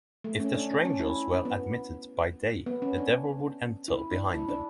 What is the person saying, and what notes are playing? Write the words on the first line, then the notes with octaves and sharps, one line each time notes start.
If the strangers were admitted by day the devil would enter behind them.
A3
C#4
D4
D4
C#4
E4
B3
B3
C#4
D4
E4
D4
E4
D4